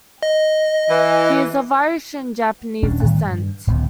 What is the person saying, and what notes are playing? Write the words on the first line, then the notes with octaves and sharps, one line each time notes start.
He is of Irish and Japanese descent.
D#5
E3
D#1 C#4 D4
A2 D#3 E3 G3
G2
D1 C#2 A2 B3